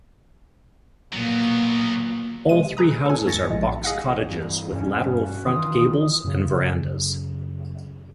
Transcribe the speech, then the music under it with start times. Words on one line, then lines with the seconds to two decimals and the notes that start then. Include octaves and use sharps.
All three houses are box cottages, with lateral front gables and verandahs.
1.13 A#2 F#3 B3
2.49 C3 G#3 D#7
2.77 G#4 B4 A#5 D#6
3.06 A4 G#5
3.26 E2 G#2 C#5 A6 A#6 C#7
3.50 A#1 A2 G#3
3.84 G#4 D#5 F5 F#5
4.28 G2 E3
4.72 E1 G2 C#4
5.24 F#4
5.45 D#3 E3 F4 D#6
6.24 F#2 C#3